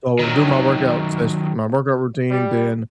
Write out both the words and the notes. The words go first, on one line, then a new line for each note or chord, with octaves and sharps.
So, do my workout session my workout routine, then,
D#3 F#3
G3